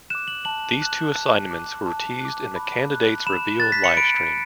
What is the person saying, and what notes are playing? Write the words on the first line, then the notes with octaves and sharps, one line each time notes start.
These two assignments were teased in the Candidates Reveal Livestream.
D6 F#6 E7
F#7
A5 F#7
D6 F#6
A5
D6 F#6
A5
D6 F#6
B5
F#6
B5 E7
F#6 A6
B6
C#7
B5 D7